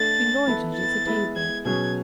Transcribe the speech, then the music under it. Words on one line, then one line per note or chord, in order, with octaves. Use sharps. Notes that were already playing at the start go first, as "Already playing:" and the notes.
He loitered at the table.
Already playing: A3 D4 A4 A6
E3 B3 E4 A4
A6
G#3 B3 E4
G#6
B2 F#3 C#4 G#4 G#6